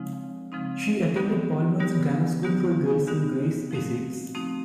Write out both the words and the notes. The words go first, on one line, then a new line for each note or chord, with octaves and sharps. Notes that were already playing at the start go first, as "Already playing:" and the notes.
She attended Palmer's Grammar School for Girls in Grays, Essex.
Already playing: C#3 F3 G#3 C4 D#4
C#3 F3 G#3 C4 D#4
D3 G3 B3 D#4 G4
D3 G3 B3 D#4 G4
D3 G3 B3 D#4 G4
D3 G3 B3 D#4 G4
F3 A3 C4 D#4 F#4
F3 A3 C4 D#4 F#4